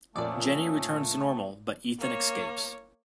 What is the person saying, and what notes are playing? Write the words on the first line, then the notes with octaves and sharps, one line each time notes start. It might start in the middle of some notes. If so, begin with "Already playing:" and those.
Jenny returns to normal, but Ethan escapes.
F2 A#2 A3 C#4 D5 D#6 E6
A#3 C#5